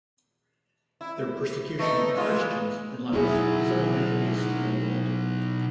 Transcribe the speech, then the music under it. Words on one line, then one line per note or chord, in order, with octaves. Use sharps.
Their persecution of Christians in Laos is among the heaviest in the world.
E4
A3 D#4 B4
E3 G#3 F4
B2 F#3 E4 G#4